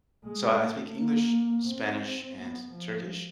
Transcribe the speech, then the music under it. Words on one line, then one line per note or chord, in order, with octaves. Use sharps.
So I I speak English, Spanish, and Turkish,
G#3
A3
A#3
C4
B3
F3